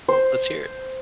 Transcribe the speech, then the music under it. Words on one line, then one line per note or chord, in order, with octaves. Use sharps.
Let's hear it.
C5